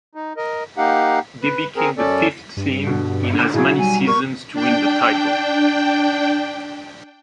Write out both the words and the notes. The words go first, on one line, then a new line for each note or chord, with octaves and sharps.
They became the fifth team in as many seasons to win the title.
D#4
A#4 D#5
A#3 D#4 G4 F5 F#5
B4
C4 G#4 A#4
F#2 C#4 A4 D5
G2
B2 D3
D3
B1 F#3 E4 G#4
G3 G#5
A#4 C#6
D4 G5